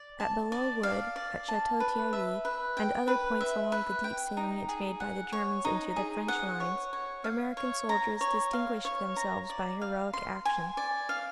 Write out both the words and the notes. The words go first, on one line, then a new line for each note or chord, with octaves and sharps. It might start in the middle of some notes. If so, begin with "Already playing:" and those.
At Belleau Wood, at Chateau-Thierry, and other points along the deep salient made by the Germans into the French lines, American soldiers distinguished themselves by heroic action.
Already playing: D5
A5
D5
F5
D5
A5
B4
E5
B4
G5
B4
E5
B4
G5
D#4
G#4
F#5
C#5
D#4
G#4
F#5
C#5
C#5
F5
C#5
A#5
C#5
F5
C#5
A#5
D5
F5
C6
G#5
D5
F5